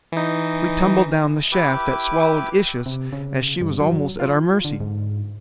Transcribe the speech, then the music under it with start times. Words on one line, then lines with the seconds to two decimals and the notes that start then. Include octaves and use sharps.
"We tumbled down the shaft that swallowed Issus as she was almost at our mercy."
0.12 E3 D#4
1.52 E4 G4 B4 D6
2.86 C3
3.13 C#3
3.61 G2
3.80 F#3
4.20 F4
4.65 D3
4.80 G#2